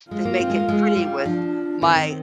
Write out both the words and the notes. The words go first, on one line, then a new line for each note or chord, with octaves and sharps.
then make it pretty with my
G#3 F4
A#3
C4
G#3
A#3
G#3
G3
F3 D4
D#3 C4
D#3